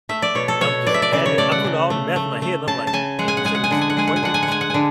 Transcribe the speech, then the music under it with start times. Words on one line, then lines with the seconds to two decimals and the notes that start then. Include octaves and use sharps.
and I'm just adding it I'm doing all the math in my head, and I'm like, "and you said it's just an acquaintance?"
0.09 A3 E5
0.22 D5
0.35 B2 C#5
0.48 A4
0.61 B2 C#5
0.87 B2 D5
0.94 E5
1.02 D5
1.13 C#3 D5
1.26 C#5
1.38 A3 D5
1.52 F#5
1.64 C#3
1.90 A3
2.16 A3
2.42 A3
2.67 C#3 A5
2.87 A5
2.93 C#3 G#5
3.19 G#3 F#5
3.28 G#5
3.37 F#5
3.45 G#3 G#5
3.55 F#5
3.64 G#5
3.71 D3 F#5
3.81 G#5
3.90 F#5
3.97 G#3 G#5
4.07 F#5
4.16 G#5
4.23 D3 F#5
4.34 G#5
4.43 F#5
4.48 G#3 G#5
4.61 F#5
4.70 D3 G#5